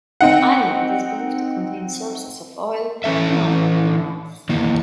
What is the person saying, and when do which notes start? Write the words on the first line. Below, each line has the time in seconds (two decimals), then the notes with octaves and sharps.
The island is believed to contain sources of oil and other minerals.
0.21 C4 D#4 F#5
3.04 E3 C#4 A4 E5
4.49 D#3 E3 A#3